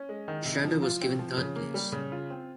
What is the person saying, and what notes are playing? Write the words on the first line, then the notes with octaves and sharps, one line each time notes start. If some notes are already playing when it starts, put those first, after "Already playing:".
Shredder was given third place.
Already playing: C#4
G#3
D#3
C3
F3
F4
C4
F3
C#3
A#3
G3
C#3
F4
C4